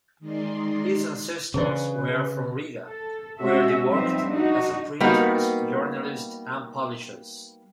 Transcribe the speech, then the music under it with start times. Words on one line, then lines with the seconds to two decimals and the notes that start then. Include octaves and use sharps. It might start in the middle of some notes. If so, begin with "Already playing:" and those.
His ancestors were from Riga, where they worked as printers, journalists and publishers.
0.19 D#3 G#3 D#4 D5 C6
1.54 C#3 E3 D4 B4 D5
2.84 A4
3.39 G#3 C#4 F#4 E5
3.90 F3 G3 B3 C4 D#4 E5
4.28 D4 D#4 F#4
5.00 G3 A#3 B3 D#4 F#4